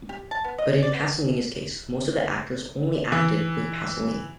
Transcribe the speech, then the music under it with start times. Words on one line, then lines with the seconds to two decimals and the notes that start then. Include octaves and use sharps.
But in Pasolini's case, most of the actors "only acted with Pasolini".
0.09 G4
0.31 A5
0.44 B3
0.58 D#5
0.83 D5
0.94 B3
3.12 E3